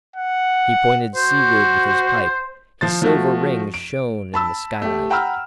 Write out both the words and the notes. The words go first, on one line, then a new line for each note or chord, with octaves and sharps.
He pointed seaward with his pipe, his silver ring shone in the sky light.
F#5
F#4 C5
F3 C5 A6
F3 A3 F#4
D7
A5 B5 E6
A3 G4
F#5 G5 A#5 B5 E6 F6